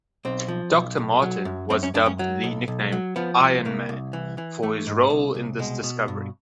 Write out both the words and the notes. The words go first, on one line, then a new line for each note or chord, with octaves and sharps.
Dr.Martin was dubbed the nickname "Iron Man" for his role in this discovery.
B1 C4
F3
B1
B1
F#3
F#2
F#2 C4
C#4
F#2 D4
C#4
F#3
B1
B1
F#3
F3 B3
C2
C2 A#3
C2
E3
E3
E3 A3
G#2
C2
C2
B2 G#3
B2
G2